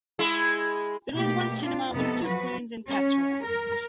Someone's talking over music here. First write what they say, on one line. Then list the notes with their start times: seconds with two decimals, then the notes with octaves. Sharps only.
There is one cinema with two screens in Castrop.
0.19 G#3 E4
1.14 B2 A3 A#3 G4
1.61 D4 F4
1.93 F2 C3 B3 D#4 A4
2.23 F3 F#3 F#4 B4
2.88 C#4
3.45 A#4